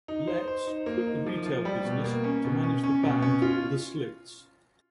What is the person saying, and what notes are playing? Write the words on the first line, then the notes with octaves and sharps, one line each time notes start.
Letts quit the retail business to manage the band The Slits.
D#4
C5
C5
D#4
A#3
D#4
F3
F3
G3
B2
A#3
C#4
B2
C#4
C#4
B2
C#4
F4